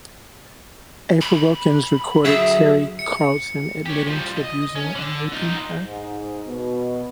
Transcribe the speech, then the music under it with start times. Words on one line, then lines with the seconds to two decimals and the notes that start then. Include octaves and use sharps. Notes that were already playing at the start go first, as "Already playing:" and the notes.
April Wilkens recorded Terry Carlton admitting to abusing and raping her.
1.21 B5
2.25 D3 F#3 G#4 E5
2.99 C#7
3.86 G4 C#5
4.07 F3 G3
4.37 D#5
4.76 C#4
4.95 D3
5.33 D#4 F4
5.85 G#2
6.46 B2